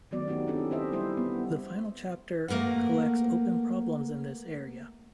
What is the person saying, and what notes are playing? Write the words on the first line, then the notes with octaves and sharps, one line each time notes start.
The final chapter collects open problems in this area.
D#3 F#3 A3 B3 F#4 D5
C4 D#4 G4
C#4 D4 E4 A4
G4 C5 D#5 E5
G3 E4 C5
B3
A3 A#3 A#4 B4 F#5